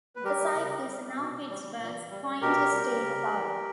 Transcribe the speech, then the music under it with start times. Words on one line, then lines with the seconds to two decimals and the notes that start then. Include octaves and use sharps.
The site is now Pittsburgh's Point State Park.
0.16 B4
0.24 G3 G4 A#4
0.55 C#3
0.87 G3
1.18 B2
1.49 G3
1.80 A#2
2.10 G3
2.41 B2 G4 A#4
2.73 G3
3.04 C#3
3.35 E3 G3